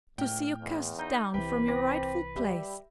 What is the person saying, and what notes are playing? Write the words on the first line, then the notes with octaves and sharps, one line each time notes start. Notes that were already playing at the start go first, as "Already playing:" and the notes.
To see you cast down from your rightful place!
C#2 A2 G5 F6
E2
D#4 A#5 G6
C2 C3 E3 B4 G5
C4 D6 A#6
G3 G4 E5 B5